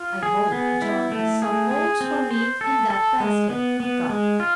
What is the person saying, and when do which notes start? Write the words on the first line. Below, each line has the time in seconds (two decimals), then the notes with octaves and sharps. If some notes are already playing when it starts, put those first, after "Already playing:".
"I hope Johnnie has some oats for me in that basket," he thought.
Already playing: F4
0.23 G#4
0.52 B3
0.82 E4
1.12 A3
1.42 G#4
1.71 G#4
2.01 C4
2.31 C5
2.61 A4
2.90 A4
3.20 G#3
3.50 B3
3.80 B3
4.09 G#3
4.40 F4